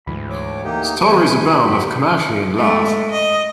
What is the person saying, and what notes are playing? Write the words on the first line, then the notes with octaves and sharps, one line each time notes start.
Stories abound of Komachi in love.
D2 G#2 E3 B5
C#5 D6
A#3 D#4 G4
D#3 G3 B3 B4 G#5 G6
F#2 D3 F#4 G4 B5
G#3 A3
D#5